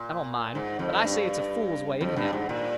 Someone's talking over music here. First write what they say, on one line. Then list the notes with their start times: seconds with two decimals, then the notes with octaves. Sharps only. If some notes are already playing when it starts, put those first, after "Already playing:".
I don't mind; but I say it's a fool way, anyhow.
Already playing: A#2
0.55 G#2
0.79 F2
1.03 G2
2.01 F2
2.17 G2
2.33 G#2
2.49 A#2